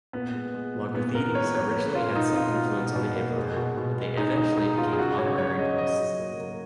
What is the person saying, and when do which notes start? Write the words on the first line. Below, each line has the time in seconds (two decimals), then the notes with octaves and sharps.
Logothetes originally had some influence on the emperor, but they eventually became honorary posts.
0.13 A#2 B3
0.34 G#3
0.54 G#3
0.75 A#2
0.94 A#2 B3
1.15 A#2 A#4
1.35 G#3 C#5
1.55 F3 C#5
1.75 A#3 B4
1.95 A#3 F4
2.15 B2 D#4
2.36 B2 F4
2.56 B2
2.77 B2
2.96 B2
3.16 A#3
3.36 G#3
3.57 B2
3.77 B2
3.97 G#3
4.17 G#3 D#4
4.37 B2 D#4
4.58 G#3 D#4
4.78 B2 F4
4.93 G#4
4.98 C#3 F#4
5.18 C#3 C#5
5.38 F#3 C#5
5.59 C#3 D#5
5.78 C#3 D#5
5.99 F#3
6.19 A#3
6.39 A#3